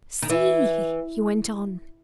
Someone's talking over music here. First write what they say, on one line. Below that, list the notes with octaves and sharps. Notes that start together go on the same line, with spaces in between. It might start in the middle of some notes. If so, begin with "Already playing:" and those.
"See!" he went on.
D#3
E3